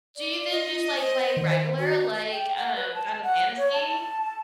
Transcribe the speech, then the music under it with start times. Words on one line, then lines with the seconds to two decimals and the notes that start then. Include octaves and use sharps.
do you then just, like, play regular, like, um, Final Fantasy?
0.16 D5
0.51 F4 D#5
0.97 C5
1.37 D#3
1.79 F#4
2.32 G5
2.57 F#5
2.76 B4
2.95 A5
3.23 F#5
3.58 C#5
3.74 A5